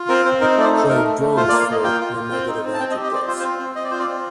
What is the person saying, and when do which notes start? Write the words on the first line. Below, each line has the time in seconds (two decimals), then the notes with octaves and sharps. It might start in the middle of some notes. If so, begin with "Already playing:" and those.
Played drums for "The Negative Adjectives".
Already playing: F4
0.09 C4 A#4
0.25 C4 C5
0.41 D#4 A#4
0.57 A3 D5
0.64 C5
0.73 D#4 A4
0.89 A3 A#4
1.04 A3
1.20 A3
1.37 F4 C5
1.49 D5
1.52 A#3
1.60 F5
1.69 A#3 D#5
1.84 F4 G5
2.01 F4
2.16 F4
2.32 C4 G5
2.48 D#4
2.65 C4
2.74 A5
2.80 C4 G5
2.91 D#5
2.96 G4
3.03 D#5
3.12 C4 D5
3.27 F4 C5
3.39 C5
3.43 C4
3.59 C4
3.75 C4 D#5
3.84 D5
3.91 F4 C5
3.99 D5
4.08 C4